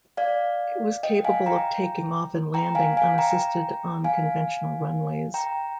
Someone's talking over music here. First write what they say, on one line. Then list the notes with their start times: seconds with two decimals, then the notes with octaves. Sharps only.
It was capable of taking off and landing unassisted on conventional runways.
0.17 D5 F5
1.03 D#5 G5
1.25 F5 G#5
1.46 G5 A#5
2.54 G5 A#5
2.75 F5 G#5
2.97 F5 G#5
3.18 G5 A#5
4.04 F5 G#5
5.34 G5 A#5